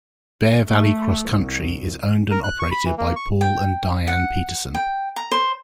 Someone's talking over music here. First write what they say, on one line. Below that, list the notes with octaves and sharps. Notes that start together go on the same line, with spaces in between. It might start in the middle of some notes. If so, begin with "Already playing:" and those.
Bear Valley Cross Country is owned and operated by Paul and Diane Petersen.
A3
C2
A#4
F#6
C#6
B5
E3
A#3
C#6
G5
F#5
G5
A#5
C5